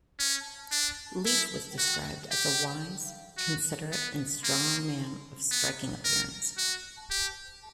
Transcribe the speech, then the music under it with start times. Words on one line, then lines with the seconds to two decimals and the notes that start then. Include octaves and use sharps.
Leif was described as a wise, considerate, and strong man of striking appearance.
0.19 C#4
0.72 D4
1.26 E4
1.79 F#4
2.31 G4
3.38 F#4
3.92 B3
4.44 A#3
5.51 B3
6.05 A#4
6.58 F#4
7.11 G4